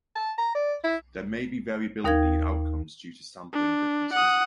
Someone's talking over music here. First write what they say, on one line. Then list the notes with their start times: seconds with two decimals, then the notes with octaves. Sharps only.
There may be variability in outcomes due to sampling differences.
0.16 A5
0.38 A#5
0.55 D5
0.84 E4
2.04 D#2 D#4 A#4 F5 G5 G#6
3.53 D4
4.13 F#5 D#6